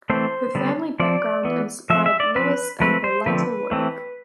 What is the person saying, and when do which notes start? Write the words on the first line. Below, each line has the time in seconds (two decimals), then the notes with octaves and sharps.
Her family background inspired Lewis in her later work.
0.10 E3 A3 C4 C5
0.55 D3 G3 B3
1.00 F3 C4 D5
1.45 E3 B3
1.90 F3 A3 C4 E5
2.06 E5
2.20 D5
2.36 F3 C4 B4
2.80 F3 A3 C4 B4
3.04 C5
3.26 D3 F3 A3 C4 B4
3.71 E3 A3 C4